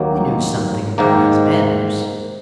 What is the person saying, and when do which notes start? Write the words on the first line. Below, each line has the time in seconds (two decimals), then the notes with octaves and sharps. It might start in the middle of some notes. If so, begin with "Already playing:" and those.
"We knew something about his manners."
Already playing: D#2 D#3 F#3 A#3
0.98 G#2 D#3 A#3